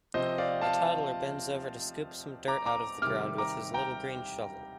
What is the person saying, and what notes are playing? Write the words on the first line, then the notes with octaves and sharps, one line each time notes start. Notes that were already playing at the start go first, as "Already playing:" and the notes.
A toddler bends over to scoop some dirt out of the ground with his little green shovel.
C3 F3 C4 C5 D#5
D5 F5
F5 A5
A#5 D6
A#5 D6
C3 D#3 G3 D6 F6
A#5 D6
G5 A#5